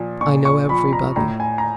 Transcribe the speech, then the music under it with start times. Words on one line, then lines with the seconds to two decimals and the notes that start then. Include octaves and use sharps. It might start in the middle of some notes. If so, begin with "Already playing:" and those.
I know everybody.
Already playing: A#2 F3
0.21 A#2 C#6
0.45 C#6
0.69 F3 B5
0.93 A#5
1.16 A2 A#5
1.40 G#5
1.58 A#5